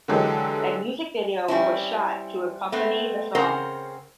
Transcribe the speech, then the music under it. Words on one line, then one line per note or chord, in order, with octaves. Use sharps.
A music video was shot to accompany the song.
D3 E3 F#3 G#3 G4 A4
G3 C4 C#4 E4
A3 B3 C4
C#3 C4 A#4 C5 F#5